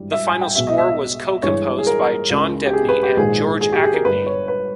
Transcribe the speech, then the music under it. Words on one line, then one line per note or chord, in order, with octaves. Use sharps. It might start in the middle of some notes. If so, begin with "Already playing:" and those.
The final score was co-composed by John Debney and George Acogny.
Already playing: G#1 G2 E3 G3
E5
G#5
G5
B1 B2 G#3 E5
D#5
E5
G1 G2 E3 G#3 C#5
G#4
A#4
C#2 C#3 G#3
G4
G#4
B4
G4
A#1 G#2 D#3 G#3 G#4
G#4
G4
G#4
A#4
G1 G2 G3 B4
C#5
B4